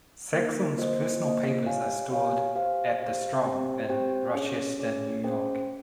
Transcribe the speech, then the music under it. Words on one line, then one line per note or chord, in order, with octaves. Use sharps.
Sackson's personal papers are stored at The Strong in Rochester, New York.
A#3 D#4 A#4
A#3 F4 C5 D#5
A#3 F4 C5 D#5
G4 C#5 F5 G#5
G4 C#5 F5 G#5
G4 C5 F5
G4 C5 F5
C4 G4 C5 G5
C4 G4 C5 G5
C#4 G#4 C#5
C#4 G#4 C#5
C#4 G#4 C5 G5